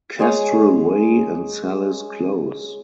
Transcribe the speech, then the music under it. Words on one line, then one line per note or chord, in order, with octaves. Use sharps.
Kestrel Way and Sallis Close.
G#3 G#4 C#5 G#5